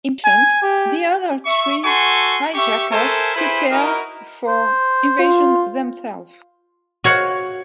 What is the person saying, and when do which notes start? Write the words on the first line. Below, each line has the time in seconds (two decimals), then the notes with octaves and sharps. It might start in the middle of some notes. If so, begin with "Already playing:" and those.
Impatient, the other three hijackers prepare for invasion themselves.
0.25 G#5
0.62 G4
1.46 E5 C#6
1.85 F#4 A4 G#5 C6 C#6
2.55 G4 E5 C#6
2.92 A4 A#4 C5 E5 G#5
3.35 E4 G#4 B4 C5 B5
3.71 D#4 E4 F#4 A#4
4.48 C5
5.19 F4
7.04 F#4 C#5 F5 F#5